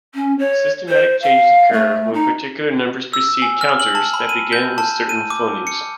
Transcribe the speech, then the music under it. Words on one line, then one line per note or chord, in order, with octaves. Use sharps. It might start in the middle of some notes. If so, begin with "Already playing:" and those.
Systematic changes occur when particular numbers precede counters that begin with certain phonemes.
C#4
C#5
C5
F5
A3
D#4
E6
G#5
F6
F#7
A5
B5
D#7
G6
A5
D#7
D6
C#7